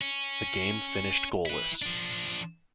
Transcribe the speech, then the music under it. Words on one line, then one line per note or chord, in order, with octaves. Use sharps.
The game finished goalless.
C#4
E4 B4
F3 D4